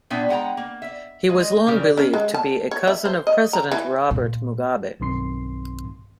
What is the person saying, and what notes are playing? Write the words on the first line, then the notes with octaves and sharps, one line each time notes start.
He was long believed to be a cousin of President Robert Mugabe.
A#2 B3 D4 E5 G5
G#3 F#5 G5 A#5
A#3
E5
G#3 D#5
C#3 G3 G4 A#4
C#4
G#3
A5
C#5
E5
C5
D#5
A#5
E3
A#2
B1 G2 D#3 C4 C6 C7